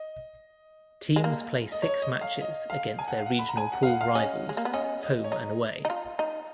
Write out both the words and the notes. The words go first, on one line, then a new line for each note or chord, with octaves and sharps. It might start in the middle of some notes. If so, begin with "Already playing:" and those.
Teams play six matches against their regional pool rivals home and away.
Already playing: D#5
G#3
A#3
D#5
C#5
D#5
F5
D#5
F5
G#5
F#5
F5
F#5
B5
A#5
G#5
F#5
F5
F#5
F5
C#4 D#5
G#3
A#3
B3
C#4 D#5
D#5
C#5
D#4 D#5
D#4
F4
D#4